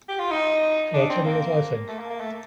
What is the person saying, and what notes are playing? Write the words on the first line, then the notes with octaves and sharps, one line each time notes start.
Shall I tell you what I think?
G4
F4
D#4
D4
C4
A#3
A3
A#3
A#3
A3